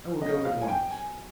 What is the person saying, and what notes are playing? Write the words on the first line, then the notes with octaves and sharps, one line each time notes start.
I will go at once.
B2 F#3 B3 D#5
F5
G#5
G5
G#5